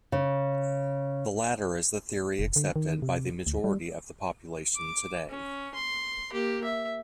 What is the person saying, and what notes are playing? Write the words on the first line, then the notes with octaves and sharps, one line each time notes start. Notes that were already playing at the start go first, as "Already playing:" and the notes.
The latter is the theory accepted by the majority of the population today.
C#3
F1
D3
D#3
C3
D2
G3
D6
C#4
C6
A#3 G4
E5